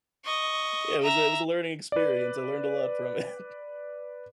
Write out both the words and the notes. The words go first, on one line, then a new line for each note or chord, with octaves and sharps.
Yeah, it was a it was a learning experience. I learned a lot from it.
D#5 C#6
E5 A#5
B4 D5